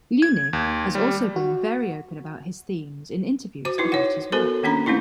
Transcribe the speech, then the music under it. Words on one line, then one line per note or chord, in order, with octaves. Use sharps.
Leunig has also been very open about his themes in interviews about his work.
G#6
D#2
G3
F#4
F#4 C5 D6
D#4 E4 B4
C#5 F#5
B3 F#4 A4 A#4 C5
D#3 A#3 C#4 D4 A#5
A3 C4 C#4 D#4 E4